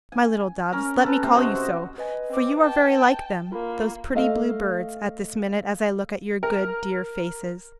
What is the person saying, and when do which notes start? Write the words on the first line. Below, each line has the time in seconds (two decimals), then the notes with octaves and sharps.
My little doves--let me call you so, for you are very like them, those pretty blue birds, at this minute as I look at your good dear faces.
0.12 G#5
0.72 C#4 A#4
1.04 A4 B4
1.23 C3 C4
1.35 F#4 C5 D#5
1.98 B4 D#5 G#5
2.30 C4 D6
2.61 G5 A5
3.52 A#3 F4 A#4 B5
4.14 A3 D#5 F5
6.43 A#4